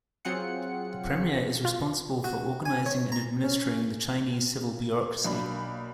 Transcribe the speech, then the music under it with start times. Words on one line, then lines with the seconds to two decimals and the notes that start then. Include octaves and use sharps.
The Premier is responsible for organizing and administering the Chinese civil bureaucracy.
0.25 F#3 C4 F4 G#4 F#5 C#7
1.65 F4
2.24 F#4
2.65 G#5
2.86 C#5
3.12 A#5
3.44 C#4
5.25 B1 A#3 D4 B5